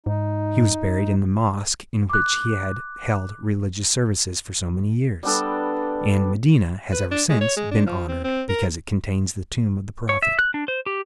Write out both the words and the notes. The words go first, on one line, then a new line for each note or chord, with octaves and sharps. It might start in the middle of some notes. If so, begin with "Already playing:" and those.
He was buried in the mosque in which he had held religious services for so many years; and Medina has ever since been honored, because it contains the tomb of the Prophet.
G#2 D#4
D6 F#6
G3 B3 D4 A4
B4
D4
G#3
C#5
G#3
D4
F3
C4
C4
A#4
C#5
E5
F#6
D4
C5
G4